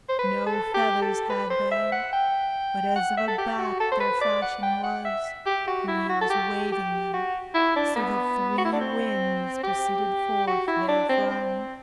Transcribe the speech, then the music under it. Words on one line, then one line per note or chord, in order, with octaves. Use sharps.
No feathers had they, but as of a bat Their fashion was; and he was waving them, So that three winds proceeded forth therefrom.
C5
B4
A4
G4
A4
B4
C5
E5
F#5
G5
F#5
E5
A4
G4
F#4
A4
C5
B4
D5
F#5
G5
F#5
E5
G4
F#4
E4
F#4
A4
G4
G4
F#4
E4
D4
B3
F#4
E4
D4
C4
G4
F#4
E4
D4
C4
C4